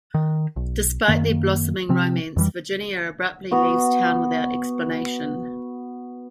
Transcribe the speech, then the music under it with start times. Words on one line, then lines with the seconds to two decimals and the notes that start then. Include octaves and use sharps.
Despite their blossoming romance, Virginia abruptly leaves town without explanation.
0.14 D#3
0.56 B1
1.08 F#2 D#3 A#3
1.89 C3 F3 C4
2.36 F2 E3 G3
3.51 B3 F#4